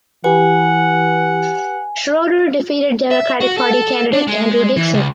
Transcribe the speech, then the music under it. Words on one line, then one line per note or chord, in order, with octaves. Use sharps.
Schroeder defeated Democratic Party candidate Andrew Dixon.
E3 G4 B4 F#5 G#5
E5
F#4
A4
D4
G#3
E3
C#2